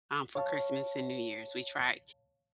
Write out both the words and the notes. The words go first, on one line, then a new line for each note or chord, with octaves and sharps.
um, for Christmas and New Year's, we try
C#5 F5 A5